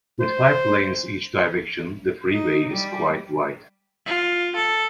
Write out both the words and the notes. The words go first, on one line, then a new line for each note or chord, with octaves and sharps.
With five lanes each direction, the freeway is quite wide.
C5
D#4
G3
F4
A4